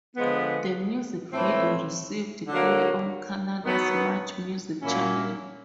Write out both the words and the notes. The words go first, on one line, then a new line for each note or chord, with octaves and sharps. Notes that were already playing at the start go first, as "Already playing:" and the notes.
The music video received play on Canada's MuchMusic channel.
D3 F3 G#3 B3
A2 E3 A3 C4
D3 F#3 A#3
D#3 F#3 B3
A#2 F#3 A#3 C#4 E4